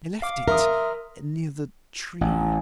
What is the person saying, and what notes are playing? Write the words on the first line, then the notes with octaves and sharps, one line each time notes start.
"I left it near the tree."
F5 D6
A#4 E5 C6 D#6
A1